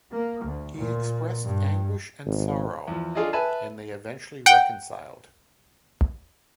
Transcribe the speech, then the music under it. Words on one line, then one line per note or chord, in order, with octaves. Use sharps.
He expressed anguish and sorrow, and they eventually reconciled.
A#3
D2
A#2
G2
G#1
E2 F3
D4 F4 G#4 A4 D5 D#5
B4 E5 G#5 A5
F#5 G5